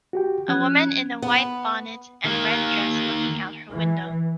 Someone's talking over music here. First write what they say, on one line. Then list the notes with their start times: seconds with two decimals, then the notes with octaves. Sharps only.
A woman in a white bonnet and red dress looking out her window.
0.13 F#4 G4 G5
0.48 F3 C#4 F#6 G#6
1.22 B3
2.25 D#3 A#3
3.72 E3